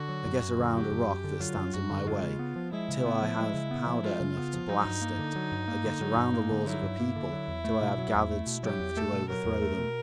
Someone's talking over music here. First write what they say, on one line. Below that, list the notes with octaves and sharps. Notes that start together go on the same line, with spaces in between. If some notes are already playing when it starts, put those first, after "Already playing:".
I get around a rock that stands in my way, till I have powder enough to blast it; I get around the laws of a people, till I have gathered strength to overthrow them.
Already playing: D3 F#4
F#3
F#2
F#2
D3
F#3 G4
F#2
F#2
D3
F#3 F4
F#2
F#2 F#4
D3
G#3 F4
C#3
B3
F3
G#3 E4
C#3
B3
F3
G#3
C#3
B3
F3
G#3 F4
C#3
B3
F3
F#3 D#4
G2
A#3
D3
F#3
G2
A#3
D3
F#3
G2
A#3
D3
F#3 E4
G2
A#3
D3
F#3
E2
A3
B2
F#3
E2
A3
B2
F#3 G4
E2
A3 A4
B2
F#3 A#4
E2
A3
B2